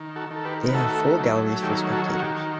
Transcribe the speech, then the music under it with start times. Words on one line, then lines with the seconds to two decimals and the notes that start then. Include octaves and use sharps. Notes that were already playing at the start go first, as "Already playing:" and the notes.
They have full galleries for spectators.
Already playing: D#3
0.16 F#4 A4
0.30 D#3
0.36 A4
0.45 G4 B4
0.69 B4
0.74 A3 F#4 A4
1.19 F#3
1.63 D#3 G4
1.92 F#4 A4
2.06 D#3
2.14 F#4
2.22 G4